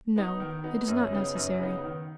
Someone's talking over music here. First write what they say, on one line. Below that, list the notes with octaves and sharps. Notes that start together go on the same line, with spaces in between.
"No; it is not necessary."
B3 D#4
D#3
B3 D#4
F#2
C#3 B3 D#4
F#2
C#3 B3 D#4
D#3